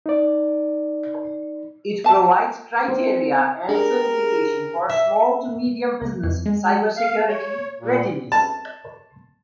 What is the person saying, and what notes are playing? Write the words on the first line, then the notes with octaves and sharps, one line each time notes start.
It provides criteria and certification for small-to-medium business cybersecurity readiness.
D#4 D5
E5 A5
C4
D4 G4 G#4 A#4
E5
C#2
F2
G#3
F5
C#5
A#2
A5